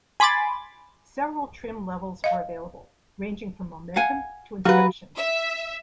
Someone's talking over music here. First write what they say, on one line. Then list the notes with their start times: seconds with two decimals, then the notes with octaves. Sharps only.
Several trim levels are available, ranging from "Momentum" to "Inscription".
0.20 G#5 B5 C6 D6 A6
2.24 D#5 F5
3.96 F5 F#5 G#5
4.65 F#3 F#4 G4 B4 F5
5.16 E5